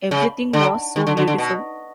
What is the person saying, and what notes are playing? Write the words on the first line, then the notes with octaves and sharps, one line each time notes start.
Everything was so beautiful!
C#3
D3
D#3
D3
D3
D3
B2